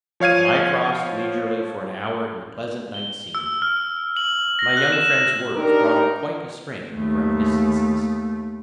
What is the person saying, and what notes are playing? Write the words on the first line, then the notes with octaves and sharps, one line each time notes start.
As I cross'd leisurely for an hour in the pleasant night-scene, my young friend's words brought up quite a string of reminiscences.
F3 C#5 F5 G#6 D#7
G7
E6
F6
F#7
A#6
F#6
E7
D4 D#4 G4 A#4
D#2 A3